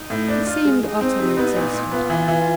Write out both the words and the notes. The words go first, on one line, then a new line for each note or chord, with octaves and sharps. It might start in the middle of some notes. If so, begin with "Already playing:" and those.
He seemed utterly exhausted.
Already playing: D#4
A2
D4
F4
G#3
G#3 D#4
C4
C3
B3
A#2
A#2
B3 F4
E3
E3